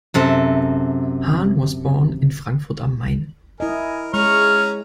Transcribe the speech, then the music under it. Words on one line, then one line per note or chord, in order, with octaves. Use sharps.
Hahn was born in Frankfurt am Main.
F#2 C3 A4 E5
E4 A#4 D#5 G#5
G#3 C#4 G#4 C#5 A#5 C#6 F6